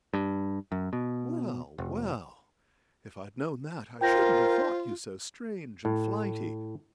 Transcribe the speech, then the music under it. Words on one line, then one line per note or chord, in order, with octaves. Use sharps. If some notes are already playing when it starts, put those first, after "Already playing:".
Well, well; if I'd known that, I shouldn't have thought you so strange and flighty.
G2
F#2
B2
F1
F4 A#4 C5 G5 G6 A#6
A2